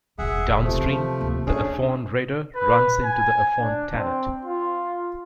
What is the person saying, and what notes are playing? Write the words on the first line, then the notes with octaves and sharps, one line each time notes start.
Downstream, the Afon Rhaeadr runs into the Afon Tanat.
E1 D3 G#4 E5 F#5
C3 D#3 F3 A3
D2 A#3
F#2 D3 A3 C#4 D4 G#4
B4
G#5
D4
C4
F4